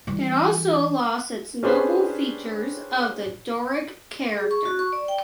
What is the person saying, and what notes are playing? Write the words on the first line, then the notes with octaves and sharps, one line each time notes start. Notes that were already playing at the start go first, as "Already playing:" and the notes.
It also lost its "noble features of the Doric character".
E3 G3
C#4 D4 G4 G#4 B4 C5
G#4
C#6
F#4
C#6
D5
G5